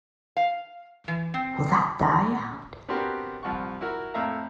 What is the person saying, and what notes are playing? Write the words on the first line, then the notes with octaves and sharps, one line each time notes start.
Will that die out?
F5
E3
C4
B3 C4 D4 F#4 G4 A#4
C2 F3 F#5 C#6
E4 F#4 A#4
F2 A2 E5 F5 A#5